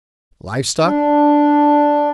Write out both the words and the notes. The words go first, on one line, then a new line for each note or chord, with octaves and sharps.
"Live stock?"
D4